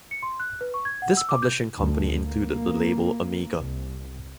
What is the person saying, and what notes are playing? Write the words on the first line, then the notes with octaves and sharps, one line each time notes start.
This publishing company included the label Amiga.
C#7
C6
F#6
B4
C#6
G#6
F#5
E6
D6
G6
D2
A#3
C2